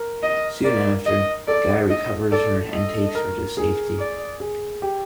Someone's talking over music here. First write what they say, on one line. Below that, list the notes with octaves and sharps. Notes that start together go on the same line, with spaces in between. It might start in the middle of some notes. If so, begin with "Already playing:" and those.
Soon after, Guy recovers her and takes her to safety.
Already playing: A#4
D#5
A#4 D5
D#5
A4 D5
D#5
A4 D5
D#5
A#4
G#4
D5
G#4
G4